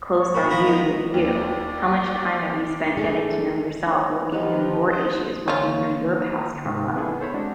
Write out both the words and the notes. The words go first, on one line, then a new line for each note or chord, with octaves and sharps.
close are you with you? How much time have you spent getting to know yourself working through your issues, working through your past trauma,
C#5
A#2 B3
F3 A#4 B5
D#3
D#2 D5
A3 D4 G#4
C5 C#5
F3 D#4 G4 B4 C5 D#5 F#5
C5 D#6
D3 E3 A#3 C#4 F4
G#2 C3 C4
B3 D4 E4 G#4 A4 B4
A4 C5 C#5 B5
G#3 C4 D4 F#4